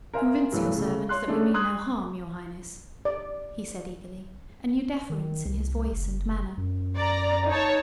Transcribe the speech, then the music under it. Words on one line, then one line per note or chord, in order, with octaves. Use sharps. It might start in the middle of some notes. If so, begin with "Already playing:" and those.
"Convince your servant that we mean no harm, your highness," he said eagerly, a new deference in his voice and manner.
A#4 C5 E5 F5 G#5
G2 E3 F#3 A3 B3
C#3 A3
C#5 C6 F#6
G#3 A3 C#4 D4
C6 D#6 F#6 G#6
D5
D#3
C2
F#1
F#2
D5 A#5
D#4 C#5 A5